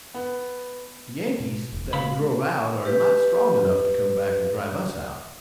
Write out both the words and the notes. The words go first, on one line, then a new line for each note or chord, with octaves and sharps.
The Yankees that we drove out are not strong enough to come back and drive us out.
B3
B2
E1
C#2 C#3 F5 B5
G4 B4